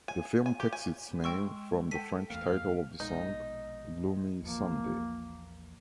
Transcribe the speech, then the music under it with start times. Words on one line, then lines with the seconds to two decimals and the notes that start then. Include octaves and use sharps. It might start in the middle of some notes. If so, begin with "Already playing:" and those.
The film takes its name from the French title of the song "Gloomy Sunday".
0.08 G#5
0.46 G#5
0.60 G4
0.73 G#5
1.24 G#3 G5 C6 C#6 E6
1.91 A4 G5 B6 D#7
2.30 E2 A3 A#3 F5
3.00 A#1 B2 G#3 D#4
4.42 A#1 E2 F3 A#3